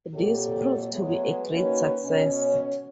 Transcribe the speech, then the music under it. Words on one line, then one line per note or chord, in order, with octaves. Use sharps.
This proved to be a great success.
F2 A#2 F#3 G4 A4
F#3 G#3 A3 B3
D#3 A#3 C#4 F#4 B4
B2 C#4